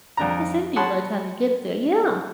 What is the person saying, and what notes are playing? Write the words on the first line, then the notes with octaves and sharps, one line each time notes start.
It's empty by time you get up there. Yeah.
F2 D4 A#5
C#5 F#5 A5 B5 C6